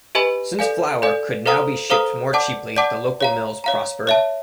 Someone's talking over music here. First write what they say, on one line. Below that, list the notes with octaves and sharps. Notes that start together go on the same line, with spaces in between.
Since flour could now be shipped more cheaply the local mills prospered.
G4 B4 D#5 G#5 B5
A4 D5 F5 G#5
A4 D5 F5 G#5
A4 C5 F5 A#5 D#6
A4 C5 F5 A#5 D#6
D5 F#5 A5 D6
D5 F#5 A5 D6
C#5 F5 A#5
C#5 F5 A#5
C#5 E5 A5